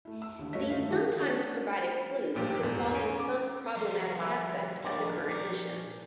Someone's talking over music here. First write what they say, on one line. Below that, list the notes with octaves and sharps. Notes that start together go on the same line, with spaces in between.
These sometimes provided clues to solving some problematic aspect of the current mission.
A3 E4
E6
D#2 D3
G2 A3 C#5 D#5 B6
A3 D#4 F4 A4 F5
D#3 E3 F#3 E4 G4 G#4
A3 C#4 D4 F#4
A1 G2 A#2 F3 A#3 G4
E2 G#2
C#4 G#5 D7
D6
F3 G3 F4
E3
D#2 F3 G3 D4 D5
F3 A#4 D5